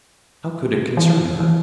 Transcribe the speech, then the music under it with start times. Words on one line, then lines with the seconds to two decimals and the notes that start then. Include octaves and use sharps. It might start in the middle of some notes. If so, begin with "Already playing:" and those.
How could it concern her?
0.97 E3
1.40 E3